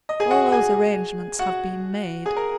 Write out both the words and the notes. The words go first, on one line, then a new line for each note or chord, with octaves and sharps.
'All those arrangements have been made.'
D#5
G#4 G#5
F#4 F#5
G#4 G#5
F#4 F#5
G#4 G#5
A#4 A#5